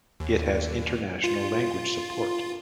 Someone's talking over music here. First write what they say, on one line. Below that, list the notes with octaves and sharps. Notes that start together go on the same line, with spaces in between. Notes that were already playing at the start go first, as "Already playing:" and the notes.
It has international language support.
D#2
F4